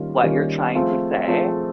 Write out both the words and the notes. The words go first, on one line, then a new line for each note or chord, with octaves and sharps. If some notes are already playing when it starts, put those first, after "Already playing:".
what you're trying to say.
Already playing: D#3 G3 A#3 C#4 F4
D#3 G3 A#3 C#4 F4
F3 A3 C4 F4 G#4
F3 A3 C4 F4 G#4